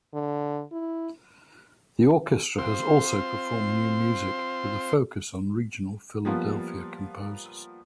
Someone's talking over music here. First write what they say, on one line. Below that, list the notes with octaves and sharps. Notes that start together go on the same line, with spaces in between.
The orchestra has also performed new music, with a focus on regional Philadelphia composers.
D3
E4
C4 F4 C5 C6
F3 G3 A#3 B3 F4